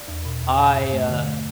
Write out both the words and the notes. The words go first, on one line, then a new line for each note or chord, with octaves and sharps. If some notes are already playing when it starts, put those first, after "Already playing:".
I, uh,
Already playing: D5
E2
B2
E2
B2
G2
A3
D3
A3